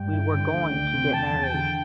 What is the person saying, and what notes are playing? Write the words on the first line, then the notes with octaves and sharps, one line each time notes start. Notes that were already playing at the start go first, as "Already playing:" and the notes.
We were going to get married.
Already playing: G2 G5
E4
D3
D2
D2
C3
E2 A5
E2
G5
D3